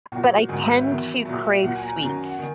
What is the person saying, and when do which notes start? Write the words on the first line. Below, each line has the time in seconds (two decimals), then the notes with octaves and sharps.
but I tend to crave sweets.
0.12 A#2 F#3 F#4
0.49 G#2 D#3 F#3 G#4
0.59 A#4
0.67 B4
0.78 E5
0.87 E2 D#3 F#3
1.24 A#2 F#3 E5
1.44 E5
1.62 A#2 F#3 F#5
1.76 G#5
1.84 A#5
1.88 G#5
2.00 F#2 D#3 F#3 A#5
2.12 G#5
2.25 F#5
2.39 D#3 G#5